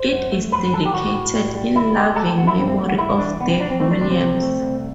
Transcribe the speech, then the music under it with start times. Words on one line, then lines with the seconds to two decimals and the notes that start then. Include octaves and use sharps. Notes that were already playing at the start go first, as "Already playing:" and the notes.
It is dedicated "In Loving Memory of Dave Williams".
Already playing: C5
0.12 F#2
0.32 A3
0.52 F#2 B4
0.73 F#3 A4
0.86 G4
0.93 A2 F#4
1.14 A2
1.35 G3
1.55 G3
1.75 D2 E4
1.96 G3 G4
2.16 D2 A4
2.27 A4
2.37 D3 F#4
2.47 E4
2.57 G2 C4
2.68 C4
2.78 A3
2.89 F#4
2.98 G2 E4
3.18 E3 D4
3.40 C2 B3
3.49 C4
3.60 E3 D4
3.70 C4
3.80 A3 C4
3.91 D4
4.01 C3 D4
4.11 C4
4.21 C2
4.42 A3
4.62 C2